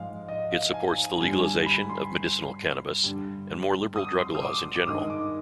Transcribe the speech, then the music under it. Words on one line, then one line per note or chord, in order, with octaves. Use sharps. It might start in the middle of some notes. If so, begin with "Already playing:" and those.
It supports the legalization of medicinal cannabis, and more liberal drug laws in general.
Already playing: G#2 F3 G#3 F5
D#5
F5
G#5
G#5
G2 D3 G3 G#5
G#5
B5
C6
G2 D3 G3
D#6
C6
D#6
D6
D6
G2 D#3 G#3 D#6
D6